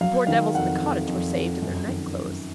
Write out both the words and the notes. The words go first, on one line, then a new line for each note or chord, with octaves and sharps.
The poor devils in the cottage were saved in their night clothes.
F#3 F5
D#3 F5
F2 F#5
F2
F2
F2
F#2
D#3